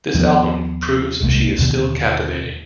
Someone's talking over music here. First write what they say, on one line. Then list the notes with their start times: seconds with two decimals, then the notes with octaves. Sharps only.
This album, proves she is still captivating.
0.14 D#2 F3 A3 B3
1.21 D#1 C2 G#3 A#3
1.58 D#2 B2 D3